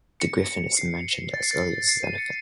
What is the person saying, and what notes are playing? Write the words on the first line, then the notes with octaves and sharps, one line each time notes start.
The griffon is mentioned as early as Xenophon.
C#7
C7
A6
C7
A6
C7
D#7
C#7